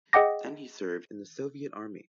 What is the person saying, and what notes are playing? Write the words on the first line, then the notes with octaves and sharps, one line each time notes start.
Then he served in the Soviet army.
G#4 D#5 F#5 G5 D6 A#6